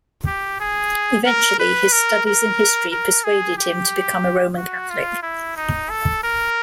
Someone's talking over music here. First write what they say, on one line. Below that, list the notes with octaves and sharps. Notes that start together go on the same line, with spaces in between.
Eventually his studies in history persuaded him to become a Roman Catholic.
G4
G#4
A#4
B4
A#4
A#4
A#4
G#4
G4
F#4
F4
E4
D#4
A4
A#4